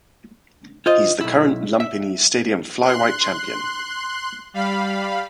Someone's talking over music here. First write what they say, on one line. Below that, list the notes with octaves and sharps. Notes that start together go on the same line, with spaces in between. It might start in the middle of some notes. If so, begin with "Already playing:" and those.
He is the current Lumpinee Stadium Flyweight champion.
F4 C5 D#5
B1 E4
E5
C6 F#6
G3 F5 B5